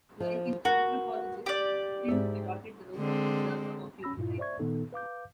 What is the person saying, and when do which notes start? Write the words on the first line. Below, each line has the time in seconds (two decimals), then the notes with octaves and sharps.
Like an anthropologist, Pym adopted the role of observer of human life.
0.20 F3
0.65 F#4 A#4 B4
1.46 G4 D5
2.08 G#2 E5
2.96 D3 G#3 C4
4.03 C#4 B5 E6 A#6
4.17 G2 A#2 E4 F4
4.38 C5 D5 E5 C#6 G#6
4.59 A#2 D#3 B3 D#4 A4
4.93 B4 F5 D6 G6